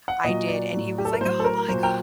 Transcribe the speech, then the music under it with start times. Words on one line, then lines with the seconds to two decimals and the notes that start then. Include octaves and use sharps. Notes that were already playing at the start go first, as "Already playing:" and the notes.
I did, and he was like, "Oh my god!
0.08 F#5
0.24 A#2 F#3 D#5
0.48 D5
0.73 A2 F#3
0.98 G4
1.05 A4
1.13 A#4
1.21 A2 F#3 C5
1.40 A4
1.44 A#4
1.68 A#2 F#3 C5
1.83 G5